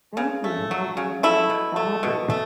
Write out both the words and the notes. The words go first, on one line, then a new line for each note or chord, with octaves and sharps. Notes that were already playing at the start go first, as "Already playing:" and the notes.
Thank you, my dear friend, that'll do.
C#3
A3
F#3
C#3
A3 E4
B2
A3
B2
A3